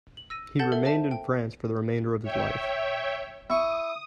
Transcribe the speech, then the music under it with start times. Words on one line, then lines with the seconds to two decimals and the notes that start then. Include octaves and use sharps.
He remained in France for the remainder of his life.
0.17 F#7
0.30 E6 A#6 D#7
0.59 A4 F#5 A5 G6 A6 G7
0.72 A4 A#4 E5
0.85 C5 E5 A5
1.11 G5
2.23 C#5 E5 G5
3.50 E4 C#6 D#6